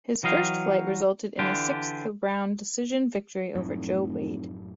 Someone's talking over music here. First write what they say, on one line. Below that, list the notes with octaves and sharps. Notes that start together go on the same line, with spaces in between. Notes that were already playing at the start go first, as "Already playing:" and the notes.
His first fight resulted in a sixth-round decision victory over Joe Wade.
E3 F#3 D#5 F5 G5
D3 E3 D4 F4 G4
F1 F#2 A2